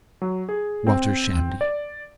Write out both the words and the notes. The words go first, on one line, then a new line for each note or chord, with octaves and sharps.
Walter Shandy.
F#3
G#4
C4
D5